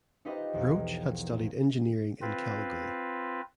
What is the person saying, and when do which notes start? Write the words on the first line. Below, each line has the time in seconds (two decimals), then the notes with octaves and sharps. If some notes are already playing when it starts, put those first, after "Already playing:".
Roach had studied engineering in Calgary.
0.25 D#4 F4 G4 B4 C5 D#5
0.53 B1 E2 F3
2.22 C4 F4 B4